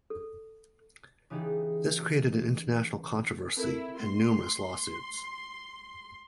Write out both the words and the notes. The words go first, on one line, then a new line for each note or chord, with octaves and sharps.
This created an international controversy and numerous lawsuits.
A4
C#3 E3 B3 D#4 G4 G#4
C4 E4 A4 A#4
A3 C6